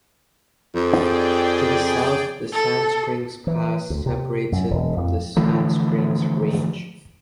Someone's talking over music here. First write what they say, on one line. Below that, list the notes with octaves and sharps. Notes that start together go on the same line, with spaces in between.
To the south, the Sand Springs Pass separates it from the Sand Springs Range.
F2 G#4 D5 G5
A4
E3
D2
C3
F#2
E1
F2
D3 E3 F3 A3